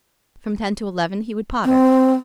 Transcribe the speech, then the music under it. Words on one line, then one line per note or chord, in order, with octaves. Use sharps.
From ten to eleven he would potter.
C4